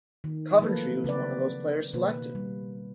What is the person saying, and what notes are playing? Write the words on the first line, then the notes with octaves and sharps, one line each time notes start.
Coventry was one of those players selected.
D#3
F3 F#3 A3 A#3 A4 B4
C#3 C4 B4 D5
B2 D#3 A#3 B4
G3